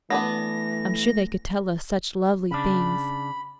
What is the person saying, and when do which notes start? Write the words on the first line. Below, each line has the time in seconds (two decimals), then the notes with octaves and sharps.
I'm sure they could tell us such lovely things.
0.10 E3 A3 B3 D4 B4 A#6
2.51 C#3 D4 B5